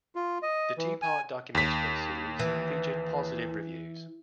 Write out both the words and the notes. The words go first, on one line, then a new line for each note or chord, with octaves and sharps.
The two part documentary series received positive reviews.
F4
D#5
E3
G#5
D#2 B6
E3